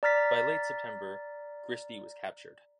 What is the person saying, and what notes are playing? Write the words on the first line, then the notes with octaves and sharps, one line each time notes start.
By late September Gristy was captured.
D5 A#5 F6 A6 B6